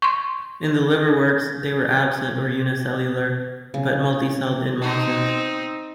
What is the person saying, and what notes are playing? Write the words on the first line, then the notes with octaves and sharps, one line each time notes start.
In the liverworts, they are absent or unicellular, but multicelled in mosses.
C6 C#6
C#3
C4 D#4